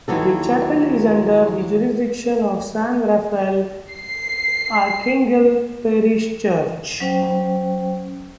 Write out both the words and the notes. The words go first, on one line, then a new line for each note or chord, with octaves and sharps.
The chapel is under the jurisdiction of San Rafael Archangel Parish Church.
D#2 E3 F#3 A4
C7
F#3 C#4 C5 G5